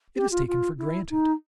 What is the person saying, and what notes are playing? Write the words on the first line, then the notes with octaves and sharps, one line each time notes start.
It is taken for granted.
G4
F4
F4
E4
D#4